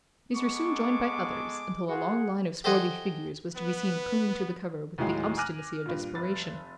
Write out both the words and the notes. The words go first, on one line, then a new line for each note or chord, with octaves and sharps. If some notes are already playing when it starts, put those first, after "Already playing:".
These were soon joined by others, until a long line of swarthy figures was to be seen clinging to the cover with the obstinacy of desperation.
G#3 B3 A4 C#6 D6
F4 F#4 G#4 F#5
G4 A4 C5 D#5 F#5 G#5
B3 B4
D#2 A2 E3 F#3 G#3
G#5 D6 F6 F#6 A#6 D#7
G2 A#2
F1 B4 A6